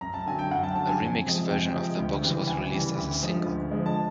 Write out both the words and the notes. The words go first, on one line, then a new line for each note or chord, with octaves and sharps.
A remixed version of "The Box" was released as a single.
F#2 A#5
A5
D3 F#3 G#5
G5
F#2 F#5
A5
D3 F#3 A5
G#5
F2
C3 F3 G#3
F2 G5
C3 F3 G#3
D2
C#3 E3 G3
D2 G#5
C#3 E3 G3
D2
D3 F3 G#3
D2
D3 F3 G#3
A5